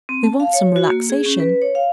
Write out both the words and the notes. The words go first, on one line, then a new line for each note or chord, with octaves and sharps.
"We want some relaxation."
C4
A5
F5
C#5
F#4
A#3
G#4
C#4
B4
C#5
F5